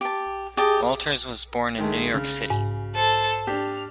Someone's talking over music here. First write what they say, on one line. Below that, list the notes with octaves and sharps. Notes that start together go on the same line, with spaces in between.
Walters was born in New York City.
G4 A5
G4 G#4 D#5 A5
D#3 G#3 A3
C#3
G#2
A4 C5
D4 G4 F6